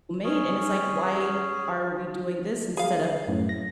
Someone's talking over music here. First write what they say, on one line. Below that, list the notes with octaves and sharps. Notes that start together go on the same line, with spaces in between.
made, and it's like, "Why are we doing this instead of
C#4 G#4
G#4 F5
F#2 A2
A#6